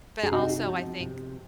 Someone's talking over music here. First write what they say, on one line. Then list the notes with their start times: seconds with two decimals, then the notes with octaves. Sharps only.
but, also, I think
0.23 G#4
0.32 C3 D#4 F#4
0.66 F3 C4
1.00 C3